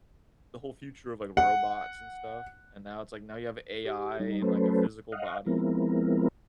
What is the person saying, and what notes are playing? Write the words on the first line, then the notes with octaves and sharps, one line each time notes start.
the whole future of, like, robots and stuff and now it's, like, now you have AI in, like, a physical body.
F#5
G4
G3 D#4
F#3 A3 C#4 A4 B4 C5
D#5 F5 F#5
F3 G#3 B3 C4 E4 A#4